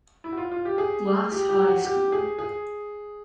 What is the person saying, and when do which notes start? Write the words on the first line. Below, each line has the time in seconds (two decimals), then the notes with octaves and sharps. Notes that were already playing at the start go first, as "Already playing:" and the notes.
Glass High School.
0.24 E4
0.32 F#4
0.37 F4
0.51 F4
0.65 G4
0.78 G#4
1.32 G4
1.49 G4
1.67 F#4
1.85 G4
2.12 G#4
2.39 G#4